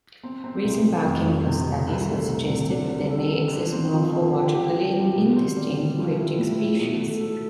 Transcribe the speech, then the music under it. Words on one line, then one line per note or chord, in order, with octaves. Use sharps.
Recent biochemical studies have suggested that there may exist morphologically indistinct cryptic species.
C4
C4
C2
A3
F2
G3
C3
C3
C2
A3
C2
C3
D4
G3
A4
A4
D3
C4
F3
F3
G4
G4
G4
G3
B2
C4
G3
G3
F3
E4
A2
E4
B2
A3
A4